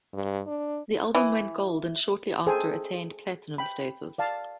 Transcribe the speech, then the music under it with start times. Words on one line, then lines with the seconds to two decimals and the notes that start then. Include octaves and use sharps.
The album went gold and shortly after attained platinum status.
0.13 G2
0.47 D4
1.15 E3
2.47 G#4 A4 C5 G5 G#5
3.58 G5 B5
4.18 D5 F5 A5